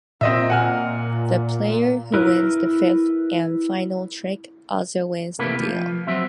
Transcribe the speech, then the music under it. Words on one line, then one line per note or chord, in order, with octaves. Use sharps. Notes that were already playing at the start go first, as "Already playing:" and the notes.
The player who wins the fifth and final trick also wins the deal.
A#2 C4 D#5 E5
F#5 G#5 F6
E4 A#4 B4
C3 A3 A#3 E4 B4
F3
F#3 C4 E5